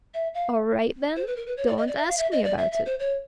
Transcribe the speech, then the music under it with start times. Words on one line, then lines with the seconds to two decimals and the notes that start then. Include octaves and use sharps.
"All right, then; don't ask me about it."
0.14 E5
0.34 F5
1.16 C5
1.27 B4
1.36 A#4
1.47 B4
1.57 C#5
1.67 D5
1.78 D#5
1.88 D5
1.97 E5
2.08 F5
2.18 E5
2.32 D#5
2.45 D5
2.58 E5
2.72 E5
2.86 C5
3.00 C#5